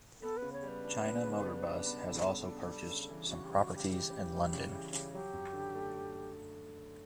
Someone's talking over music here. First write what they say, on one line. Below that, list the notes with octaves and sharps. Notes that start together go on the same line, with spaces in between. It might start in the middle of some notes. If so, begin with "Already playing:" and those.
China Motor Bus has also purchased some properties in London.
B3 A4
C#3 B4
C#5
G3
B4
D4
B3
C#3
G3
D4
B3
C#3 A4
G3
D4
G3
C#3
E3
C#3 F#4
G4
G3
F#4
C#3 G4
E3 G4
C#3
G3
C#3
E3
C#3
F#3 G4
F#2
D3
A3